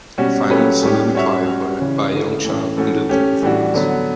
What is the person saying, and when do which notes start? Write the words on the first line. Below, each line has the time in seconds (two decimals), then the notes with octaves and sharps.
A final soliloquy by a young child ended the performance.
0.18 B2 G3 C#4 F#4
0.50 F#3 A3 C#4 G4 B4
0.83 A2 G3 C#4 G4
1.15 G3 C#4 F#4 C#5 E5
1.47 G3 C#4 F#4
1.80 C#3 E3 G3 C#4
2.13 D3 A3 C#4 E4 B4
2.45 A2 E3 A3 C#4
2.77 E3 A3 C#4 F#4
3.09 A3 C#4 G4
3.42 A2 E3 G3 D4 F#4
3.74 D3 F#3 B3